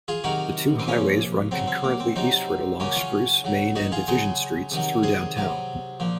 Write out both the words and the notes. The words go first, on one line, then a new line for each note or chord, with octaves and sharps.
The two highways run concurrently eastward along Spruce, Main and Division streets through downtown.
F4 G#4
C3 D#3 F#3 F#4 A#4
C4
C3 F3 A#3 C#4
C#3 F#3 C4
C4
A#3
C4
C3 F#3 C4 D#4
C#3 F#3 A#3 C#4
C#4 F4
C#3 F#3
D#4 F#4
F4 G#4
C#3 F#3 G#4 C5
C3 D#3 F#3
G#4 C5
C3 F#3
A#2 F3